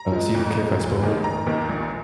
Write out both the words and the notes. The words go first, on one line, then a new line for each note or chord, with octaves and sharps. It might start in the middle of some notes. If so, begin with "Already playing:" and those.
Uh, so you don't care if I spoil it?
Already playing: A#5
F3 G#3
F2
F3 G#3
F1
D#2 D#3
F1 A#5
D#2 D#3
A#1